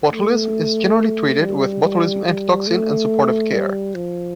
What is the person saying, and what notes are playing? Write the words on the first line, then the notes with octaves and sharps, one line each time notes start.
Botulism is generally treated with botulism antitoxin and supportive care.
A3
G3
G3
G3
A3
G3
F3